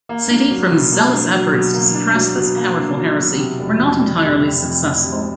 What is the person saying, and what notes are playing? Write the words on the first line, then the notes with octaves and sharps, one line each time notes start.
Saint Ephrem's zealous efforts to suppress this powerful heresy were not entirely successful.
A#3
D4
F#3
B2
A#3
D4
F#3
B2
A#3
D4
F#3
B2
A#3
D4
F#3
B2
C3
F1
F2
F1
C3
F1
F2
F1
C3